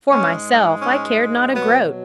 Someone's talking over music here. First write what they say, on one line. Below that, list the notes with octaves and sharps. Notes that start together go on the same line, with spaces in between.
For myself, I cared not a groat.
G#2 G#3 C#4
C#4
B2 F#3 B3